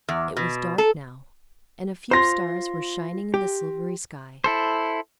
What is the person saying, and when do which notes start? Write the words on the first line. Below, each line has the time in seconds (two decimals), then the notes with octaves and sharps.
It was dark now, and a few stars were shining in the silvery sky.
0.09 E2
0.37 B2
0.78 A4
2.11 F4 C5 C6 A#6
3.34 G4
4.44 E4 A4 C5